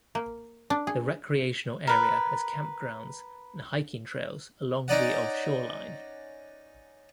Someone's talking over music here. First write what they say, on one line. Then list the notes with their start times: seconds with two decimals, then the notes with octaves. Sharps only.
The recreational area has campgrounds and hiking trails along the of shoreline.
0.15 A#3
0.70 D4
0.87 G#4
1.87 A#4 B4
4.88 C#4 D#4 D5 F#5